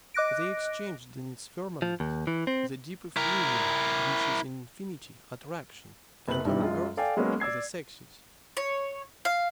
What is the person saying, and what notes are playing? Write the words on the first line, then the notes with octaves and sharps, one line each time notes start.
They exchanged in its firmament the deep effluvium which is in infinity attraction, and on earth the sexes.
D#5 D6 F#6 A#6 D7
F3
D#2
E3
C4
E4 A#4
F#1 B4 F#7
G2 B2 D#3 G3 E4
F#2 G#3 F4
A4 D5 F5 G5 G#5
F#3 G#3 A#3 B3 C#4
D5 E6 G#6 C7
C#5
F5